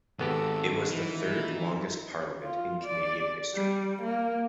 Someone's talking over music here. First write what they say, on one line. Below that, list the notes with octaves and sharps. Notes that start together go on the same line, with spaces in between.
It was the third longest parliament in Canadian history.
G#1 G#2 D#3 B3 G4 A4 E6
E3 D#4 E4
F4
D5
G3
A#3